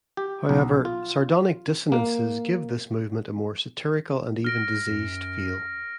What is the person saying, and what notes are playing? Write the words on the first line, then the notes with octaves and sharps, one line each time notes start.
However, sardonic dissonances give this movement a more satirical and even diseased feel.
G4
B1
F4
A#3
F6 A#6 D7
F#2